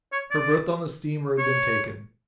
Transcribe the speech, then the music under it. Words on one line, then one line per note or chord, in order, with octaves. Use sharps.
Her berth on the steamer had been taken.
C#5
D5
C#5